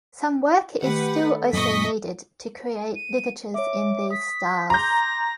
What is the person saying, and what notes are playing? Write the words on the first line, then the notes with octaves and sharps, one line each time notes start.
Some work is still also needed to create ligatures in these styles.
D#3 A3 G4 B4 F#5
A4
F#2 A#2 D#5 C#6 B6
D#7
C#5 E5 D6
D#6 B6
A#5 C6 D6 G6 A#6